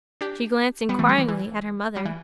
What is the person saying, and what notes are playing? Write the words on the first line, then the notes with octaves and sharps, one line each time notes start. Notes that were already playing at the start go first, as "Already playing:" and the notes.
She glanced inquiringly at her mother.
D4 G4
G3 B3
E3 A3
G3
E3
E3
G3
E3